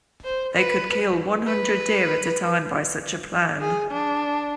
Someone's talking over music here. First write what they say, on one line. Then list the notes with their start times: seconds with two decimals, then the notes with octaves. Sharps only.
They could kill one hundred deer at a time by such a plan.
0.25 C5
0.55 B4
1.47 B4
3.61 G#4
3.91 D4